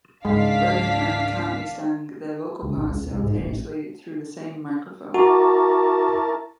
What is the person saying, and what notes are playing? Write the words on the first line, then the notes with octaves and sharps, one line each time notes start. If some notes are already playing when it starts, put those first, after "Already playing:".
Lennon and McCartney sang their vocal parts simultaneously through the same microphone.
C#2 G#2 G#3 D4 F5 B6
C#2
A1
C#2
C2
G#2
D1
A1
E4 F#4 A#4 A5 A#5 C#6 D6